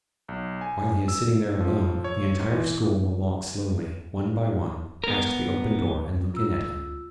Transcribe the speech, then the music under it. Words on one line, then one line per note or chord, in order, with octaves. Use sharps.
While he is sitting there alone, the entire school will walk slowly, one by one, past the open door and look in at him.
B1
G#5
E6
F3
C#5
G#2
E3
B3 A#4
F4 E6